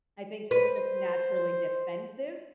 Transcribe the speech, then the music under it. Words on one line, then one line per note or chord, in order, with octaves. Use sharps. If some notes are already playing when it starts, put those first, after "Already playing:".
I think he's just naturally defensive,
B4 C5